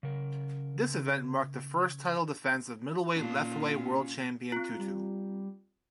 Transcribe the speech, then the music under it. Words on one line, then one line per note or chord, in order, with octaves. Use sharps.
This event marked the first title defence of middleweight Lethwei world champion Too Too.
C#3 A#4
A#2 C#4 F4 A5
C4 F4
G3